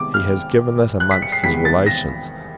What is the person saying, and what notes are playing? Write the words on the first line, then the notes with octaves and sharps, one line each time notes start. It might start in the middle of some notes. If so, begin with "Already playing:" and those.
He has given it amongst his relations.
Already playing: C3 D#3 G#3 B3 D6
F6
F#6
B6
C#7
C7
E2 C3 D#3 G#3 B3 B6
A6
A#6